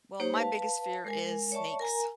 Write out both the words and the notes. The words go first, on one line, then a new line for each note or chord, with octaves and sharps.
well, my biggest fear is snakes.
A#3 D#4 G4 C5 C#5
B4 F5 A5
G#3 A#4 G#5
C#5 D5 E5 A5 C#6
A#4 G#5 A#5